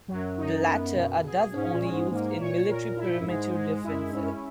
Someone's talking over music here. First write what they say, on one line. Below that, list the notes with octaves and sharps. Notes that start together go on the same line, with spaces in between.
The latter are thus only used in military perimeter defenses.
F#2 F#3
D#4
B3
B2
G#4
G#2 C#4
A#2
G#3
G#2
G#2 A#3
A#2 C#5
A#2 A#4
E4
F#2
G#2 G#3
G#3
F#2 E4
G#2 C#4
F#2